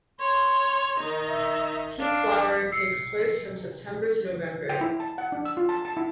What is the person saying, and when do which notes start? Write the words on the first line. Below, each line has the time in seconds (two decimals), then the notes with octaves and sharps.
Peak flowering takes place from September to November.
0.20 C#5 C6
1.00 D#3 D#4
1.28 E5
1.99 D4 F5
2.72 E6 C7 C#7
4.69 G5
4.81 E4
5.00 A5
5.18 F#5
5.32 D4
5.45 E6
5.57 F4
5.69 A5
5.85 A5
5.97 E4